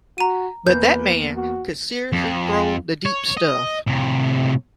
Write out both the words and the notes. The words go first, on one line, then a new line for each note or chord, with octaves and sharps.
But that man could seriously throw the deep stuff.
F#4 A#5 D#7
E2 A#3 B4 G6
F#4
F2
C#5
D#5
A2 C3